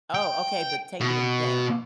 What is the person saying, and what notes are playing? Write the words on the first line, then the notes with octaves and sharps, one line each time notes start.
Oh, okay, but taking him down.
G5
B2